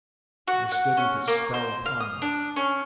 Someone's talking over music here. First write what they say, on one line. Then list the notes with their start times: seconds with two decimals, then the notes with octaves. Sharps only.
I stood with its spell upon me.
0.48 F#4
0.72 F#5
0.97 C#4
1.28 A#3
1.54 C5
1.86 F5
2.00 D#6
2.22 D4
2.56 C#4